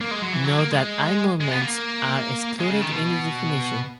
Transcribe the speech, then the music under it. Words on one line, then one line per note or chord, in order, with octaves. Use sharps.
Note that eye movements are excluded in the definition.
A#3
G#3
F#3
E3
F#3
A#3
G#3
G#3
B3
A#3
G#3
C#3
D#3
B2